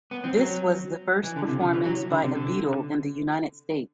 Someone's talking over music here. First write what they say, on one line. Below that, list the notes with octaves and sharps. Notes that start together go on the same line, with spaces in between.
This was the first performance by a Beatle in the United States.
B3
C4
F#3
E3
D3
C3
D3
E3
F#3
D3
C3
D3